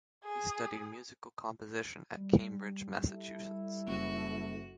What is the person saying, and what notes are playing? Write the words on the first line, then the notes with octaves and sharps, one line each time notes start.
He studied musical composition at Cambridge, Massachusetts.
G#4
G3
E4 A4
F#1 F#4